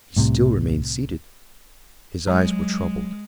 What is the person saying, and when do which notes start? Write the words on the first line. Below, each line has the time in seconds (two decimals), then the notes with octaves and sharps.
He still remained seated. His eyes were troubled.
0.16 C2 A2 C3
2.27 F#3 G#3